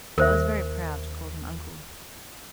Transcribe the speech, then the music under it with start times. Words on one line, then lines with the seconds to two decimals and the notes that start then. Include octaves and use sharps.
I was very proud to call him uncle.
0.18 D#2 A#4 C5 E5